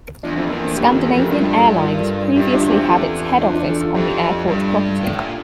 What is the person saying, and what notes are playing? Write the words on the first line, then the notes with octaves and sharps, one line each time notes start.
Scandinavian Airlines previously had its head office on the airport property.
E2 D4 F4
F2 C4 E4
E2 A#3 D4
A3 C4
F2 G4 A#4
F4 A4
E2 A#4
F4 A4
F2 E4 G4
G2 D4 F4
E4 G4
F4 A4
F4 A4
A#4
F4 A4
G2 E4 G4
G4
D4 F4
E2
C4 E4
F4 A4
D4 F4
D4 F4
F4 A4
F4 A4
F2 E4 G4
G2
A2
A#2